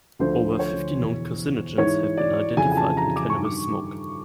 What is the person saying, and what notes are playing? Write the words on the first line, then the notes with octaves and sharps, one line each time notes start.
Over fifty known carcinogens have been identified in cannabis smoke.
D2 D3 F3 C5
C#5
E2 B2
G#2 E3 C#5
D5
F2 C#3 E3 G#5
G#5
A5
A#5
D6
C#6
G2 D#3
D6